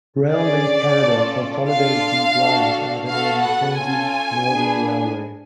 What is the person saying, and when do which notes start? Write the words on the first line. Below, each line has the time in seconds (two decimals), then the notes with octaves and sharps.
RailLink Canada consolidated these lines under the name Mackenzie Northern Railway.
0.29 C#4 G#4 D5
0.98 C#4 F4 A4
1.68 D4 F4 A4 F5
2.37 D4 F#4 A4
3.07 B3 F#4 A4 F5
3.42 F#5
3.77 C#4 F4 A4 G#5
4.47 B3 D4 G#4